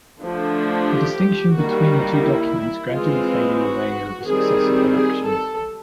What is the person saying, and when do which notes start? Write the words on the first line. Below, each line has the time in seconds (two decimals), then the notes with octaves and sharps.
The distinction between the two documents gradually faded away over successive elections.
0.21 D3 F3 A3 D4
0.89 G4
1.56 D#3 G3 A#3 F#4
2.24 E4
2.91 E3 G#3 C4 F4
3.58 F#4
4.25 D#3 G3 C4 G#4
4.93 G#4
5.28 A4